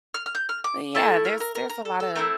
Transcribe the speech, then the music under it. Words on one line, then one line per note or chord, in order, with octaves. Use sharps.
but, yeah, there's there's a lotta
F6
F6
G6
F6
D6
A3 E4 A4 A5
A#4
A#4
A#4
A#4
A4
A4
A3 C4 E4 A#4